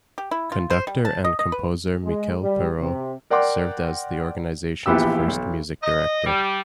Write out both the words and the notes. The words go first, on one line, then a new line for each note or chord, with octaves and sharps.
Conductor and composer Michel Perrault served as the organization's first music director.
G4
E4
F4
C5
G3
A5
D#5
D#5
B4
G#3
G3
C3
A#4 D5 F#5 G5 C6 D6
A#1 E3 B3 F4 G4 E6
B1
D#5
G3